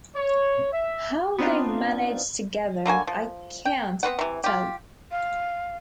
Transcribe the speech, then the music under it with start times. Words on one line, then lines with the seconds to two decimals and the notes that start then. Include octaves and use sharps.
How they managed together, I can’t tell.
0.15 C#5
0.73 E5
1.39 B3 C4 D4 D#4 F4
2.85 D3 A#3 F#4 G#5
3.07 F3
3.65 G5
4.03 B3 C4 B4 F#5
4.19 C3 E3
4.44 F4 G4
5.11 F5